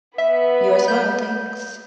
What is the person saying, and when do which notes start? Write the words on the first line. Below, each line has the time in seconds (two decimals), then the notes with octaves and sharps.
You as well, thanks.
0.18 B3 B4 E5
0.88 G6